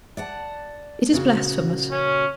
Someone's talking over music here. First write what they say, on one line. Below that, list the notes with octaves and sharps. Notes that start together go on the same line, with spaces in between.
It is blasphemous.
D5 F#5 A5
A#2 C#3 F#4
C#4